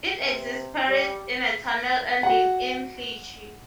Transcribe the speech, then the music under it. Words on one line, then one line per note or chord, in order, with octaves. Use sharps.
It exits Paris in a tunnel ending in Clichy.
C3
G3
F#4 F#5